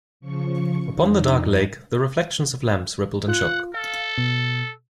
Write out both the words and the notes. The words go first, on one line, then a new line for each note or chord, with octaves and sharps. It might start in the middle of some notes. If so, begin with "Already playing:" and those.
Upon the dark lake the reflections of lamps rippled and shook.
C#3 F3 C#6
F2 D4 D#4
F4 F#5
A4 F5
B2